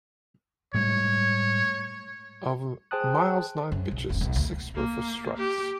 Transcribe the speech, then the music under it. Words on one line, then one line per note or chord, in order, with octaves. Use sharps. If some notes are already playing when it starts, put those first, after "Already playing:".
Of Miles' nine pitches, six were for strikes.
A2 G3 G#3 C#5
G#4 C5 G5 A5 D#6 F#6
F#2
B1
E1 A1
B1
D2
A#3
G4